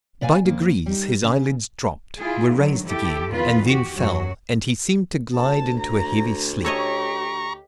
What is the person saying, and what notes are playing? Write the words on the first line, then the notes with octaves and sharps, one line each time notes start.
By degrees his eyelids dropped, were raised again, and then fell, and he seemed to glide into a heavy sleep.
B3 D5 F5 G#5
F2 A#3
G3 D#4
C#3
E4 F4 G#4
D3 D#3 F#3
E4 G4 A4
E2 D#3 F4 B4
F#4 G4
F#2 F#3 F#4
D2 A5
A#5
G4 A4 C#5 D#5 A#5 C#6